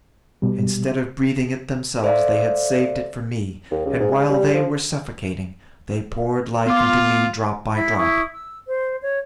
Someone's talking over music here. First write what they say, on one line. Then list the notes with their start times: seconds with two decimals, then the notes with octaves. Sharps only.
Instead of breathing it themselves, they had saved it for me, and while they were suffocating, they poured life into me drop by drop!
0.42 B2 G3
2.03 A4 C5 D5 E5 F5
3.71 D#2
3.86 C#2
4.00 G#2
4.12 G#3
4.29 G3
4.53 F3
6.66 B3 F4 D6
7.75 E4 B5
7.96 E4 C#6 D#6
8.32 E6
8.68 C5
9.02 C#5